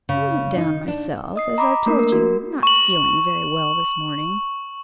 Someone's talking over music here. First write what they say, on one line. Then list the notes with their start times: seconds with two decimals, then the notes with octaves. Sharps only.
I wasn't down myself--as I've told you, not feeling very well this morning.
0.09 C#3
0.57 D#4
0.88 D4
1.36 D#5 D#6 C7
1.58 A#5 B5 D6
1.86 A3 A#3 D4 A#4
1.99 A#4
2.12 F#4
2.63 C#6 F#7